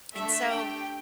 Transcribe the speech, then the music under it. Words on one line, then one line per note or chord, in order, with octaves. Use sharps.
And so
A3 D4 A4 E5
A3 D4 G4 G5